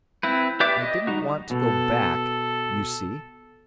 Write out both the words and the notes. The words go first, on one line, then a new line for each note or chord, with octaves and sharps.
I didn't want to go back, you see....
C4 E4 B4
G4 B4 D5 E5 D6
D#5
G3 D#4 F#4
B2 A4